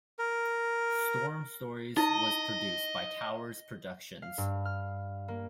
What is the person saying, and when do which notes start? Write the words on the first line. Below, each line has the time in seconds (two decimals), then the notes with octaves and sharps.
"Storm Stories" was produced by Towers Productions.
0.19 A#4
1.97 D#4 E4 D#5
4.22 F5
4.38 G2
4.65 F6
5.28 A#3